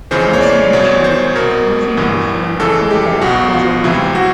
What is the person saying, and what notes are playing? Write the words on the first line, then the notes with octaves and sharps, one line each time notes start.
As he matured, Murphy preferred full back over wing.
F2 C#3 E3 C5
C#5
D5
C2 B2 C#5
C5
C2 B2 A#4
G1 G2 E3
F2 C#3 E3 A4
G4
B1 B2 F#4
F4
C#2 C3 E3 E4
F#4